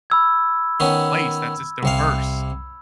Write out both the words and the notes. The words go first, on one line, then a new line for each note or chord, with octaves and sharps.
place that's just diverse
B5 E6 G#6
D#3 B3 C#4
C2 C3 F5